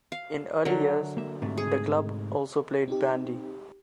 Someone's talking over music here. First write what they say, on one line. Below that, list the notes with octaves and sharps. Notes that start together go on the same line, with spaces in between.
In early years, the club also played bandy.
F5
D3 F#3 A#4 E5
A#3 E5
G#2 C3 A3
G#4
C4 D#4 G4